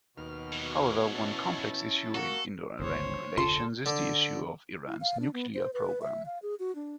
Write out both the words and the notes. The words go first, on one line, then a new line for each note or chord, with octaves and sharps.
However, one complex issue in Indo-Iran relations is the issue of Iran's nuclear programme.
D#2 B2 F6
E3 F#3
C#4 E4 A5
A#3 F#4 A4
G1 C#2 G2 C5 C#5
F1 D2 D3 F4 A4 C6
D3
E4
F5
D4
B3
C5
B4
E5
F5
G#4
F#4
D4